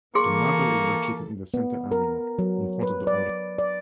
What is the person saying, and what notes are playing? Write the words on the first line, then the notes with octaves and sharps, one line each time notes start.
The marble is located in the center arena in front of the old entrance.
E3 A#3 G#4 A4 C6 C#6
B3
A#4
F#3
B4
D5
D5